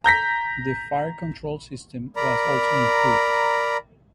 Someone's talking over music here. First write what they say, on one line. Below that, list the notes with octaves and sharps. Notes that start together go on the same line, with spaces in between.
The fire-control system was also improved.
A#5 G6 A#6 B6
A#4 D5 A#5 B5